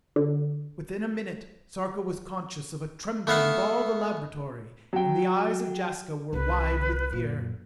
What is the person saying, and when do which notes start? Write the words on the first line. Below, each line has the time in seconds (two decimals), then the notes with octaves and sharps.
Within a minute, Sarka was conscious of a trembling of all the laboratory, and the eyes of Jaska were wide with fear.
0.16 D3
3.27 A3 B3 E5 F5
4.93 F#3 G5
6.33 C2 B4
7.11 F#2 A#2